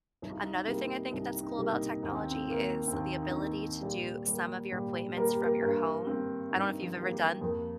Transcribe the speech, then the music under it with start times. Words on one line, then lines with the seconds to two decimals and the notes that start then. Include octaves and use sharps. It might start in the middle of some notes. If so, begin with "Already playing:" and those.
another thing I think that's cool about technology is the ability to do some of your appointments from your home. I don't know if you've ever done
0.22 C2 D#4
0.32 F4
0.40 D#4
0.54 D#4
0.67 C3 G3 A#3
0.83 D#4
1.12 C2 D#4
1.43 D#4
1.58 C3 G3 A#3
1.72 D#4
2.03 D#2 D#4
2.12 C4
2.31 C4
2.48 D#3 A#3
2.88 C4
2.93 D#2 D#4
3.22 D#4
3.31 C4
3.38 D#3 A#3 D#4
3.82 A#2 G3 G4
4.27 G3 A#3
4.72 A#2 G3 G4
5.17 G3 A#3 A#4
5.29 G4
5.41 A#3 A#4
5.62 G2 A#3 A#4
6.07 G3 A#3 C4
6.51 G2 D#4
6.82 F3 F4
6.97 G3 A#3 F4
7.12 G3 G4
7.42 F2 A#3 A#4